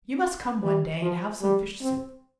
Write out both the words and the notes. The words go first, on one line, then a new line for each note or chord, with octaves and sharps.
You must come one day and have some fish soup.
G3
F3
G3
C4